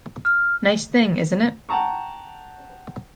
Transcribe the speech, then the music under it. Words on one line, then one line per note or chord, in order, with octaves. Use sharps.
Nice thing, isn't it?
F6
F#5 G5 A5 A#5 C#6